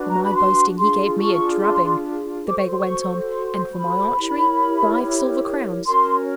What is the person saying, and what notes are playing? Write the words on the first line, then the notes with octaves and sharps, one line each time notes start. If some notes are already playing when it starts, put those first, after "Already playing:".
"For my boasting he gave me a drubbing," the beggar went on, "and for my archery five silver crowns."
Already playing: D4 F#4 B4
A#5
B5
C6
D4 F4 G#4 C6
C#6
C6
F#4 A4 C5 D6
C#6
C6
C#6
C6
B5
E4 G4 A#4 C#5
C#4 F#4 A#4 C#5 C6